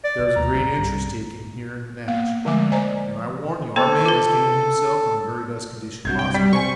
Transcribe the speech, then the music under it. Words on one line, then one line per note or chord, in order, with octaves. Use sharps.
There is a great interest taken here in the match, and I warn you our man is getting himself in the very best condition possible.
D5
C3
D#2 A#5
A1 F4
C2 G2
A#3 B3 F5
D3 F3 G#3 A3 G#5 D6
C5 D5 D#5 G#5 A#5
A#3 B3 A4 C5
F4 B4
B1 G2 C3 F#4 G6 G#6
G5
G3 B6
C3 C5 G#5 C#6